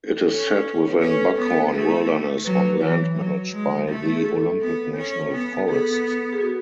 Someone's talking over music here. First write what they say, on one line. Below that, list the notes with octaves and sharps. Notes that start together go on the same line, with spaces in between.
It is set within Buckhorn Wilderness on land managed by the Olympic National Forest.
A4
C#4 C#5
C#5
B4
C#4 A4
B3
A3 G#4
F#3 B4
E3 C#5
F#3
G#3
A3
G#4
A4
B3
C#4
B3
A4
B3 G#4
G#4
F#4